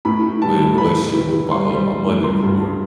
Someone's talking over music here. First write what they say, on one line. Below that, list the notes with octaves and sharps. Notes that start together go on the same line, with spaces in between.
with relationship with my, uh, my mother or
A2 B5
A2
G3 A5
A2
E3 B5
E3
E3
E3
G3 C6
G3
G3
A2
G3 C6
G2
G2